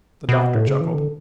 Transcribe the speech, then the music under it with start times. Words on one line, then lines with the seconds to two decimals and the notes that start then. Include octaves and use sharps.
The Doctor chuckled.
0.29 B2
0.55 A2
0.67 C#3
0.81 E3
0.94 D3